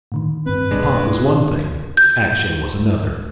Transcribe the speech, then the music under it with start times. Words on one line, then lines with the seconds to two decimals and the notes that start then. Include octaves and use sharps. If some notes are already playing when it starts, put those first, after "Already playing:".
Talk was one thing, action was another.
0.12 A2 D3 D#3
0.46 G2 C4 B4
0.71 B1 G2 A#2 G#3 D4
1.97 G6